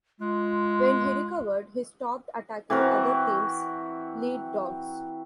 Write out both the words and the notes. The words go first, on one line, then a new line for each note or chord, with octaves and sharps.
When he recovered, he stopped attacking other teams' lead dogs.
G#3 F4
E3 C4 F#4 A#4